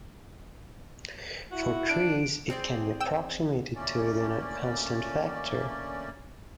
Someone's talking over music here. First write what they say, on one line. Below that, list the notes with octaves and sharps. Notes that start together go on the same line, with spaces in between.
For trees, it can be approximated to within a constant factor.
E4 F#4
D4 D7
C4 G#4 D5
G5 E6
D2 A3 A#3 C#4 D5